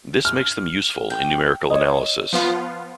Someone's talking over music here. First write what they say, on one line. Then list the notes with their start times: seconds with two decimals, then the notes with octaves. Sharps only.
This makes them useful in numerical analysis.
0.25 F6
1.10 G5
1.70 C#5 D#5
2.33 F3 B3 F4